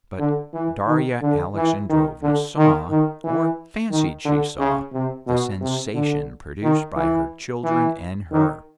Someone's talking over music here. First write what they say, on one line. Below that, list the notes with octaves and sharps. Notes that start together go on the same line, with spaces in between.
But Darya Alexandrovna saw, or fancied she saw, the sensation produced by her children and her.
D3
E3
D#3
D3
E3
D#3
D3
D#3
D#3
E3
D#3
D3
C#3
C3
B2
C3
D3
D#3
E3
E3
D#3